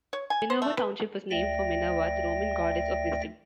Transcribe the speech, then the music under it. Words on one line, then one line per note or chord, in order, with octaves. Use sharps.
Minerva Township was named for Minerva, the Roman goddess of wisdom.
C#5
G#5
C5
A3
B4
D2 D5 E5 G5 A#6